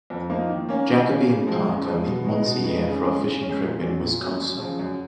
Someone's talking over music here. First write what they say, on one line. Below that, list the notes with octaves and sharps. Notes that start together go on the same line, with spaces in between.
Jacoby and Parker meet once a year for a fishing trip in Wisconsin.
F2
F3 A#3 D#4
D#3
A#3 C#4
D#3
A#3 C#4
C#3
F3 G#3
C#3
F3 G#3
B2
G#3 B3 D#4
B2
G#3 B3 D#4
C#3
G#3 C#4
C#3
G#3 C#4
A#2
F#3 C#4
A#2
F#3 C#4
F#2
C#3 F3
F#2